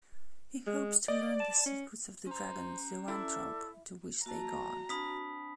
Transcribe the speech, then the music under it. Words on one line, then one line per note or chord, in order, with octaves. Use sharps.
He hopes to learn the secrets of the dragon zoanthrope to which they guard.
G#3
D5 D#5
A5
C#4
C#4 C5 A#5
E4 A4 D5
A#3 F#4 A5 A#5
C4 D4 A5 B5 D#6 B6